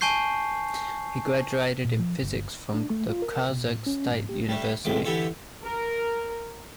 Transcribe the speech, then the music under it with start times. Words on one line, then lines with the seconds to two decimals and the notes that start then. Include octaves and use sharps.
He graduated in physics from the Kyrgyz State University.
0.01 G#5 A5 C#6 G6 C7
1.85 A#2
1.99 F3
2.21 G1
2.74 D4
2.90 A3
3.09 F4
3.22 A#4
3.50 B2
3.65 A2
3.86 C#4
4.11 G#2
4.29 G4
4.48 G3 A3 D4
4.85 B1 F2 A2 G#3 D6
5.05 D3 E3 E4 G4 A4 C#5
5.64 A#4